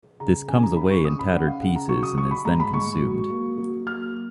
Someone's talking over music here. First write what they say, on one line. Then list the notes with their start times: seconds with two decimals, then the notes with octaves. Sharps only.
This comes away in tattered pieces and is then consumed.
0.20 C#3 A#5
0.48 C#4 G#5
0.63 A#5
0.76 C#3 B5
0.91 C#6
1.05 C#4 D#6
1.19 B5
1.33 C#4 F#5
1.47 F5
1.61 C#3 F#5
1.76 A#5
1.89 F#3 C#6
2.03 D#6
2.17 F#3 C#6
2.31 B5
2.45 G#2 A#5
2.60 B5
2.73 G#2 C#6
3.01 F#3
3.30 A#3
3.58 F#3
3.86 A#3 F6